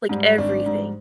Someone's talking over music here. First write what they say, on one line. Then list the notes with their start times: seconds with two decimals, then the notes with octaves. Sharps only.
Like, everything.
0.09 G#2 G3
0.38 G#1 D4
0.66 G#2 G3